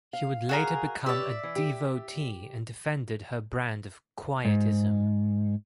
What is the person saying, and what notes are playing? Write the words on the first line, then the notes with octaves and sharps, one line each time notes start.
He would later become a devotee and defended her brand of Quietism.
F5
F#4 G#4 A#4
G4 B4 C#5 D5 E5
E3
G4
G#2